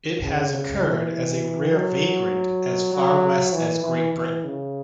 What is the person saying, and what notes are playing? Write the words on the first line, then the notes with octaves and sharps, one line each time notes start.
It has occurred as a rare vagrant as far west as Great Britain.
C#3
E3
E3
F#3
F#3
E3
E3
E3
C#3